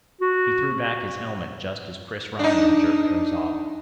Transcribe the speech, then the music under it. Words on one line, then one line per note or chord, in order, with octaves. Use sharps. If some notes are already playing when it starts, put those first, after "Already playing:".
He threw back his helmet just as Chris Ryan jerked hers off.
F#4
D4 D#4